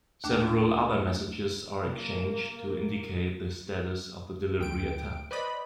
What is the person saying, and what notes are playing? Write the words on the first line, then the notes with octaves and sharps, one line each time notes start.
Several other messages are exchanged to indicate the status of the delivery attempt.
D#2 A3 D4
C3 A#3
D2 G5 D7
B4 C5 D5 D#5 B5